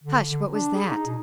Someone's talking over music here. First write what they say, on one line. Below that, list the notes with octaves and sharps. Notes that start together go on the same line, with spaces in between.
"Hush! what was that?"
D3
D3
D4
G#4
D#4
B2